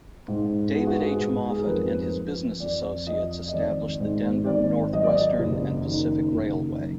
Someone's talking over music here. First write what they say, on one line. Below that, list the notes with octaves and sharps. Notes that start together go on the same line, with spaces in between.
David H. Moffat and his business associates established the Denver, Northwestern and Pacific Railway.
G#2
B3 G#4
F#4
G#4
G#2
G#4
A#4
F2 B4
F2
F2 D5
F3 D#5
D#5
G#1 D5
G#2
G#1 D5
F#3 D#5
D5
D#5
F#1
D#3
F#1
F#3